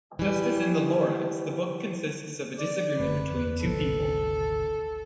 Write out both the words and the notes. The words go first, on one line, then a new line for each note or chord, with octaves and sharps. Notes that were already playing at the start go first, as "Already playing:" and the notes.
Just as in "The Lorax", the book consists of a disagreement between two people.
E3 G3
D5
F#1 D3 A3 B4
E2
G#1 D2 C3 A4